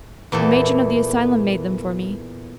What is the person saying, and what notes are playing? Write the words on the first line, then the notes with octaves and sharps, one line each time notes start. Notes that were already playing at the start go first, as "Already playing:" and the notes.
The matron of the asylum made them for me.
E2 A#2 E4 A4